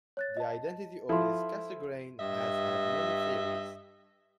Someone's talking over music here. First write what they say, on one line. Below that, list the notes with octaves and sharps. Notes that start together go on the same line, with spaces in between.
The identity of this "Cassegrain" has had many theories.
C#5 F#6 A6
D#5 A5
F3 E4 A4 C6
G2 D#5 E5